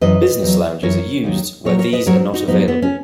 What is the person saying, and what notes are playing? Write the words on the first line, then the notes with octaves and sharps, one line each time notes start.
Business lounges are used where these are not available.
F#2 E3 B4 D#5
E2 D#3 F#3
F#2 E3 A#4 C#5
D#2 D#3 F#3
A#2 F#3 A#4 C#5
A#4 C#5
B4 D#5
G#2 F#3 A#4 C#5
D#4 F#4
G#2 F#3 B3 D#4
B3
C#4